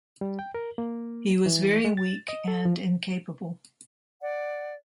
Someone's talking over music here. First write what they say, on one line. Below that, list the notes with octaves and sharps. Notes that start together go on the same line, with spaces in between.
He was very weak and incapable.
G3
G5
A#4
A#3
E3
G#3
A6
D#5
A4
F3
D5 F#5